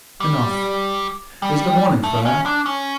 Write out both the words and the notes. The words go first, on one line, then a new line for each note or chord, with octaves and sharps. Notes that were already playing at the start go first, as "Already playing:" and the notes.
Enough!--Is the morning fair?'
G3
G3
A3
C#4
D4
C#4